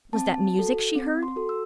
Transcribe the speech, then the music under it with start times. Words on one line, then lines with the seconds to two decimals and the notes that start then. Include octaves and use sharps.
Was that music she heard?
0.13 C4 A5
0.54 F#4 A4
0.95 C4
1.23 C6
1.36 F#4 A4
1.49 E6